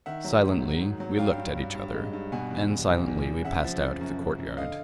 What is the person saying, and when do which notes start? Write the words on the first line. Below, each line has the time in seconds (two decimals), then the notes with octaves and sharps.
Silently we looked at each other, and silently we passed out of the courtyard.
0.06 D#3 E5 F#5
0.24 F#3
0.44 G#2
0.63 G#2
0.82 G#2
1.00 F#3
1.19 G2 F5 G5
1.38 G2
1.57 G2
1.75 G2
1.94 G#3
2.13 G2
2.32 B2 F#5 G#5
2.51 E2
2.70 E2
2.88 E2
3.07 E2
3.26 E2
3.44 C#3 E5 F#5
3.64 F3
3.83 C#3
4.01 F#2
4.20 C#3
4.39 F#2
4.57 D3 D#5 F5